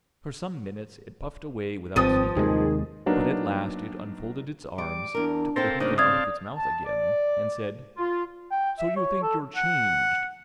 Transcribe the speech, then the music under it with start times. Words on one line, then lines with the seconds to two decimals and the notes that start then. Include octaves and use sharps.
For some minutes it puffed away without speaking, but at last it unfolded its arms, took the hookah out of its mouth again, and said, 'So you think you're changed, do you?'
1.96 G#1 G2 F3 C4 D#6 A6 D#7
2.36 D#2 C3 D#3 G#3 G#4
3.06 F#3 A#3 B3 D4 D#4
4.78 G3 D6
5.15 E2 D4 A#4
5.56 C4 A4 A#4 C5 F5 G5
5.80 D2 G2 C#3 A#3 D4 D#4 C5
5.98 C4 D5 F5 A5 D#6 G#6
6.57 A5
6.85 D5
7.97 F4
8.51 G5
8.79 E5
8.96 C#5
9.23 A4
9.56 F#5